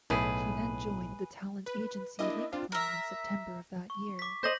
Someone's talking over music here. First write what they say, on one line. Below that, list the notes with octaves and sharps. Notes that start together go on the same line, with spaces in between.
She then joined the talent agency Link Plan in September of that year.
B1 A2 E4 G#4 B4
B4
A#3 D4 E4 D#5
C4 D4 F4
A#4 E5
C#6
D6 B6
C5 D#5 G6 A#6 F#7